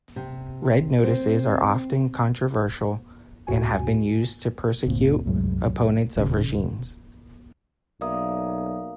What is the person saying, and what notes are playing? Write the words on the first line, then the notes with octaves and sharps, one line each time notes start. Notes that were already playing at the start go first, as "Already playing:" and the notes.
Red notices are often controversial and have been used to persecute opponents of regimes.
C3
C4
D2 G#2 F#4 G#5
G1 D2 A#2 C4
C2 F#2 A2 G#3
D#1 D2 C#3
B1 A#3 D5 E5 D#6